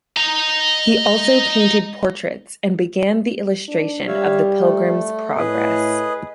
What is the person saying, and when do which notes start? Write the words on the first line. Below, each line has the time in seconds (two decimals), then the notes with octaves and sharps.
He also painted portraits and began the illustration of "The Pilgrim's Progress".
0.17 D#5 A#5
3.68 D4
4.08 G3 C#5 E5 F5
4.61 A3
5.37 A2 G#4 B4 D#5